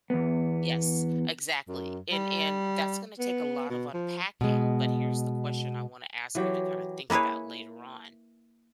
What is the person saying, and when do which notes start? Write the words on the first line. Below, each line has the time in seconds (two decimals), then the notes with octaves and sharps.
Yes, exactly, and and that's gonna take a lot of unpacking, but here's the question I wanna ask you to kinda think about later on.
0.10 E2 B3
1.68 F#2
2.12 G3
3.19 B3
3.70 B2
3.94 F3
4.41 B2 G#3
6.35 E3 F#3 G4
7.10 A#3 E4 G#4 B4 C#5